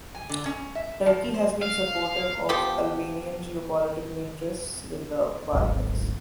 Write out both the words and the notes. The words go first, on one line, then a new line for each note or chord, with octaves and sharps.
Turkey has been supportive of Albanian geopolitical interests within the Balkans.
G#5
D3
C#4
E5
F3
C5
F5
F3 B3 G4
D1 G#1